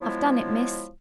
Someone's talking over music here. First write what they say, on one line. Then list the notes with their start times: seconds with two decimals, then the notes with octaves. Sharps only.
'I've done it, miss.
0.01 F3 F#3 G#3 B3 E4